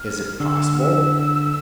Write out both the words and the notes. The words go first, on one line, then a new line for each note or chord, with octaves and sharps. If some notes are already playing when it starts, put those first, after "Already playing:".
"Is it possible?"
Already playing: F6
D3 E6
F6
E6